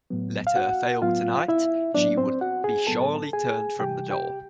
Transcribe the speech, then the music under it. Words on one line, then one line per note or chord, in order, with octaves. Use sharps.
Let her fail tonight, she would be surely turned from the door.
A2 F#3 B3
F5
F#4 F#5
A2 F#3 B3 F4 F5
E4 E5
A2 F#3 B3 D4 D5
C4 C5
F#4 F#5
G#4 G#5
A2 F#3 B3 A4 A5
G#4 G#5
C3 E3 G3 G4 G5
G4 G5